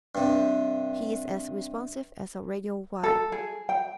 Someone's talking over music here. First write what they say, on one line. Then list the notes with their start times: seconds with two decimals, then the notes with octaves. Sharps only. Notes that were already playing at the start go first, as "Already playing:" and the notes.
He is as responsive as a radio wire.
0.15 G2 C3
3.04 A4
3.32 G#4
3.69 G5